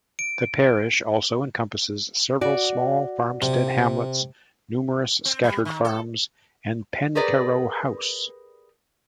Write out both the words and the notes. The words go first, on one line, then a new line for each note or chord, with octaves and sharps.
The parish also encompasses several small farmstead hamlets, numerous scattered farms and Pencarrow House.
D7
F#4 D5
C3
C4
G3
D#3
A4
G4 G#4 A#4 B4 D5